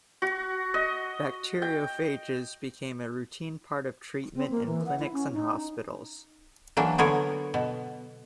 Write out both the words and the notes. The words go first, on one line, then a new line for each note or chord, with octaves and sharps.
Bacteriophages became a routine part of treatment in clinics and hospitals.
F#4
D#5
G5
C4
A#3
E3
F#5
E4
C#4
D#4
E3 F#3 A#3 D4
D3 B3 A#4 C#5
B2